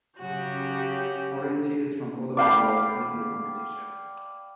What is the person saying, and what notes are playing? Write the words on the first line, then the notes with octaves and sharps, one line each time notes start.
Orienteers from all over the world come to the competition.
C#3 F#3 C#4 F#4 G4
D5 F5 G5 B5